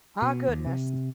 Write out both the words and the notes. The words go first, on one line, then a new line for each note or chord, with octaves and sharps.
Ah, goodness.
B2
D#2
C3